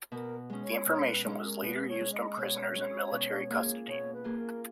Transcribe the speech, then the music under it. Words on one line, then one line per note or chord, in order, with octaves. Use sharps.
The information was later used on prisoners in military custody.
B2 A#4
G#3 C#4
C#5
B2 C#5
B4
G#3 C#4 D#4
A#4
B2 B4
C#5
G#3 C#4
D#5
B2 C#5
G#3 C#4
B2
A#3 F4 G#4
B2 C#5
B4
A#3 F4 G#4
A#4